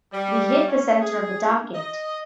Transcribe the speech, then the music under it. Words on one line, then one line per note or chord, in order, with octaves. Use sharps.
We hit the center of the target.
G3
C#4
G#4
D#5